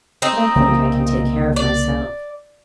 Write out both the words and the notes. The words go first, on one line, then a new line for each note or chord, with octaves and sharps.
But I think I can take care of myself.
C4 D#4
C2 C#3 A#3
D5